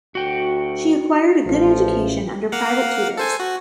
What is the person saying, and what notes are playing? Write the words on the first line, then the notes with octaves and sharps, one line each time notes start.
She acquired a good education under private tutors.
D2 F#4 G5
A1 F3
A#3 F5 F#5
A4 C5 G#5
F#4